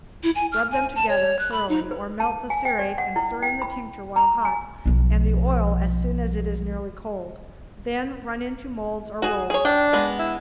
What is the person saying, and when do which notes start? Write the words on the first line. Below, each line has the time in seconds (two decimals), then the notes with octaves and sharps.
Rub them together thoroughly, or melt the cerate and stir in the tincture while hot, and the oil as soon as it is nearly cold, then run into molds or rolls.
0.24 E4
0.35 G#5
0.52 F6
0.71 G#5
0.95 A5
1.09 C#5
1.39 F#6
1.52 B5
1.69 D#4
1.91 B4
2.20 A5
2.50 G#5
2.65 G5
2.79 D5
2.98 F#5
3.16 E4
3.42 G5
3.62 B5
4.16 A#5
4.45 G#5
4.85 B1 F3
9.22 F#4 G#4
9.50 G#4 C#5
9.65 D4 G5
9.93 G#3 B3
10.19 E4